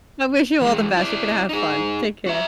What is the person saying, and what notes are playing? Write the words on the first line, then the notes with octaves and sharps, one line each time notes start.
I wish you all the best, you gonna have fun. Take care.
E3 G#3
E4 D5
D#4 G#4
F#4 E5